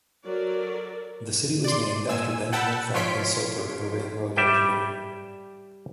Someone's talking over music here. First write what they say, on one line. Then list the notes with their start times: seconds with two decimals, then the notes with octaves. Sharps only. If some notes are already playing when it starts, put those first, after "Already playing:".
The city was named after Benjamin Franklin Soper, a railroad engineer.
0.25 F#3 A4 A#4 D5
1.64 D5 C6
2.09 A#2 G#5 E6
2.53 F#5 G5 A5 B5 E6
2.94 F3 F4 C#5 C6 B6 D7
4.36 G3 E5 G5